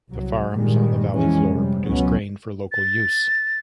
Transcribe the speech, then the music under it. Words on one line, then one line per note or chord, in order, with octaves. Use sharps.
The farms on the valley floor produced grain for local use.
C2 F#3
G2 A#2 D#3 G3 G#3
F2 E3 G#3 C#4
C3 G3
C#2 B2 F#3 B3 C#4
A6